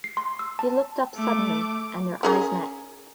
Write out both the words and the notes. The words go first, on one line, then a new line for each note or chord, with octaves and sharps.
He looked up suddenly, and their eyes met.
C7
C6
E6
A5
A3 D6
C#4 G#4 A#4